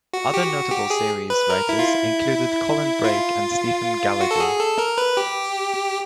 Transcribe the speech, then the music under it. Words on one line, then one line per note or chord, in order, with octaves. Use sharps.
Other notable series writers included Colin Brake and Stephen Gallagher.
F#4
G4
F#4
G4
G#4
B4
A#4
E4
F4
E4
F4
F#4
A4
G#4
A4
A#4
B4
G4